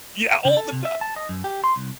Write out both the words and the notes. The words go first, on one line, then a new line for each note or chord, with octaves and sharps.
Yeah, all the time.
C#3
A4
C3
E5
A5
D#5
F#2
G4
C6
C2